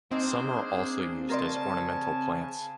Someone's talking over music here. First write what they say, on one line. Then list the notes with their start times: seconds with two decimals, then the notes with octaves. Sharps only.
Some are also used as ornamental plants.
0.11 A#3 C4 D4 D#4 G#4 C5
1.29 C#3 A#4 C5 D5 G#5 A5